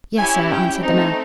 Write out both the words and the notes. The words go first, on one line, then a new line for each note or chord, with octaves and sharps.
"Yes, sir," answered the man.
C#4 E4 G4 G#5
G5
A3 C4 D#4